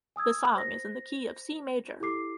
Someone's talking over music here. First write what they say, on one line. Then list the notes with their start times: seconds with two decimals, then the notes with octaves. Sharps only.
The song is in the key of C major.
0.16 G#5 D#6 E6 G#6
0.56 C5 A#6
2.00 E4 G4 A4 D6 C7